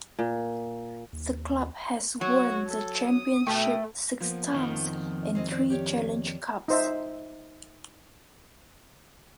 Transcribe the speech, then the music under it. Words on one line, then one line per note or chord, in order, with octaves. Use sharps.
The club has won the Championship six times and three Challenge Cups.
A#2
D#2
F#3 F#4
A4
D#6
B2 A3 G5
F3 A#3 B3
F2 D#3
G#3 C4 D#5
C4 D5
G4 C#5 D5
D#4 C5 E5